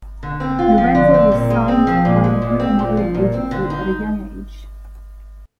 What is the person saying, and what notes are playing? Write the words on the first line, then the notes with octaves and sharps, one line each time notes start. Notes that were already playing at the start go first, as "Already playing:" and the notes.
Lorenzo was signed by the Group modeling agency at a young age.
D3
C4
F4
F3
D3
C4
A#2
G#3
C4
F3
A#2
G#3
A#2
C4
A#2
F3
A#2
C4
D3
D#4